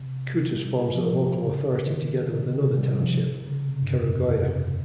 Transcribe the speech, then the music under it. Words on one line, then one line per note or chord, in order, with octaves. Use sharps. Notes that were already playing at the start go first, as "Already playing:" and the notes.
Kutus forms a local authority together with another township, Kerugoya.
Already playing: C3
G3
F3
C#3
D#3
C3
C3
G3
F3
C#3
C3
G2
F2
F2